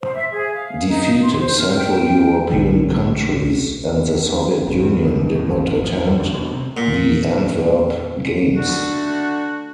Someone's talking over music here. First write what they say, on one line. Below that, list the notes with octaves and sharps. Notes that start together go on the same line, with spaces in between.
Defeated central European countries and the Soviet Union did not attend the Antwerp games.
C5
E5
G#4
F5
D#4
C6
C5
F6
G5
B1 B2 D3 F3
G#1
E2
C#2
D#2
A2
A1
G#1
F3
E2
D2
B2
C3
A#2
D3 A3 D4 F#4